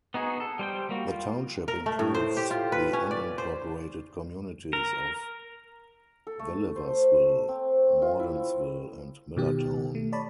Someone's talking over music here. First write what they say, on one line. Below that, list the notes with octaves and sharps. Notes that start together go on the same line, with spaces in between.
The township includes the unincorporated communities of Welliversville, Mordansville, and Millertown.
B3 D#4 F#4 G#4
A4
G3 C5 G5
G3 A#3 F#4
F4
A#4
A3
A2
C5
G4
F4
B4
C#4
D5
C5
A#4
A4
A3
C5
C4
F4
E4
B2 D#3 G4
A3
C#5 D5 A5 B5